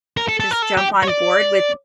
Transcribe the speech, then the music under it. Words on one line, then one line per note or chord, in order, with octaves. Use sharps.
just jump on board with
A#4
A4
A4
A#4
A4
G4
C#5
D5